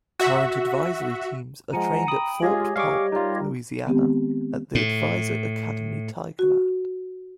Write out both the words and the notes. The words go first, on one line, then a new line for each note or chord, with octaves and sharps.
Current Advisory Teams are trained at Fort Polk, Louisiana at the Advisor Academy, Tigerland.
F#4 E5
F3 G#3 F#5 G#5 A#5
G5 B5 D#6
G#3 F4 G4 G#4 C#5 D#5
G3 G#4 F5 C#6 D6
G3 D#4 F4 A#4
D#3 G#3 B3 C4 G4
A2
F#4